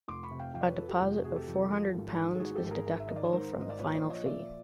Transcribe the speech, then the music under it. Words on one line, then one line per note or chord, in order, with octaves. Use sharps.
A deposit of four hundred pounds is deductible from the final fee.
F1 C6 D6
B5 C#6
C3
F5 G5
F2 F5 G5
D5
B4 C#5
F3 A4 B4
G4 A4
F1 G4
F#4 G#4
C3 F#4 G#4
G4 A4
F2
F3
G#1
D#3
A4
G#2 F#4 G#4
G4 A4
G#1
G#4 A#4
G#1
E5
D#3 D#5
D5
C#5
G#2 A#4 C5
G#1
D#5
D5
A#1 B4 C#5
C5 D5
F3
C#5 D#5
A#2 D5 E5